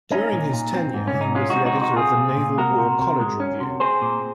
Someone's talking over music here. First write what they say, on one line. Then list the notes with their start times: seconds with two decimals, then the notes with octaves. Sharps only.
During his tenure he was the editor of the "Naval War College Review".
0.12 C#4 D#4
0.32 A#2
0.53 A#2
0.73 C4
0.94 G#2
1.08 C#4
1.14 G#2
1.21 D#4
1.35 G#3 C#4 F4
1.50 D#4 F#4
1.56 C4
1.65 D#4 F#4
1.76 C3
1.81 D#4 F#4
1.96 C4 F4 G#4
2.17 A#2
2.37 A#2
2.58 G#3 F#4 A#4
2.78 C3
2.99 C3
3.20 G#3
3.40 C#4
3.60 C3
3.80 C4 G#4 C5
4.02 A#2